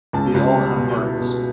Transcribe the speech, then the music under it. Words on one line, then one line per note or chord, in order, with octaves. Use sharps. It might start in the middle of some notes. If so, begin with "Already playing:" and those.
We all have hearts.
C#2 A5
C#2
G3
B2
E4
B2